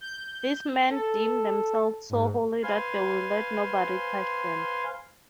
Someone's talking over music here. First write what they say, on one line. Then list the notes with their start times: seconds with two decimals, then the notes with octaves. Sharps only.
These men deem themselves so holy that they will let nobody touch them.
0.01 G6
0.90 A4
2.10 G#2
2.63 B4 C5 F5 G#5 C6